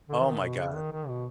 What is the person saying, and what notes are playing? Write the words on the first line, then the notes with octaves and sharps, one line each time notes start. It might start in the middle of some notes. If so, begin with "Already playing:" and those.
Oh my god.
D3
E3
D#3
B2
C#3
D#3
D#3
B2